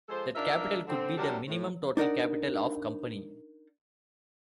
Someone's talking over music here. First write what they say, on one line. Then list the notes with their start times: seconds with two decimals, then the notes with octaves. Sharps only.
That capital could be the minimum total capital of company.
0.09 F3 G#3 A4 C5
0.35 D4 D#4 F4 A#4 D5 E5
0.86 D3 C4
1.16 C3 F#3 G3 D4 A4 A#4
1.47 A2
1.97 D4 D#4 A#4 D5 F#5